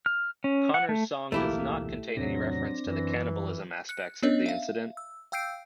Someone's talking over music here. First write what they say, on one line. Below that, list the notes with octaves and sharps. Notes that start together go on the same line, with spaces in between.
Connors' song does not contain any reference to the cannibalism aspects of the incident.
F6
C#4
F#5
A3
D1 B1 E3 A3 A#3 E4 G4
E2 A2 C3 F#3 C4 D4 A#6
F#2 E3
F#6 C#7
B3 C#4 D4 C#5 D#5
E5 F5
E6
F5 G5 E6 G6 C7 D7